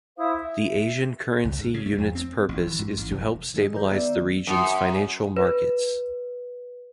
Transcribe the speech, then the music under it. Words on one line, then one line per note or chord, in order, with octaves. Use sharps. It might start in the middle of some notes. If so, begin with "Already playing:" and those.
The Asian Currency Unit's purpose is to help stabilise the region's financial markets.
E4 C5 F5 D#6
E5
C#2
G#2
C#3
A3
F2
C4
A1
E3
G#2
A1
F1
D#3 G3 G#3 G#4 D#5
G#4 B4 D5 A#5 G6
D#3 B3 D5 E5
F#2
B4